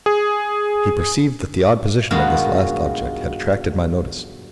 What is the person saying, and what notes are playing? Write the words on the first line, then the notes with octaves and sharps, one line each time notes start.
He perceived that the odd position of this last object had attracted my notice.
G#4
G2 B2 D#3 G#3 F4 F#4